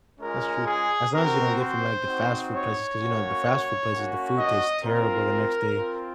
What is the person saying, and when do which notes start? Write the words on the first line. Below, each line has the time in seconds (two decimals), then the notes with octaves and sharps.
That's true, as long as you don't get from, like, the fast food places, ‘cause, you know, the fast food places, the food tastes terrible the next day,
0.20 G#3 C#4 F4 A#4
0.66 G#4
1.13 C4 F#4 A#4
1.59 C5
2.06 C4 D#4 F#4
2.52 C#5
2.99 A#3 C#4 F#4
3.91 A#3 C#4 F#4
4.38 D#5
4.83 C4 F4 A#4
5.76 C4 F4